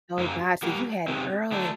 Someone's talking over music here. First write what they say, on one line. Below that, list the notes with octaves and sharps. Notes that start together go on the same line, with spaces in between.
Oh, god. So you had it early.
F#2 F#3 A#3
G3 A#3 F#4 A#4
C3 D#3 F#3 C4
D3 F#3 A3 D4